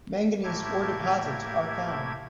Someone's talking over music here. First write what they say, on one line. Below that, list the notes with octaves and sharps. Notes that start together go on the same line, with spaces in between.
Manganese ore deposits are found.
A2 A3 A#3 E4 G4 G#6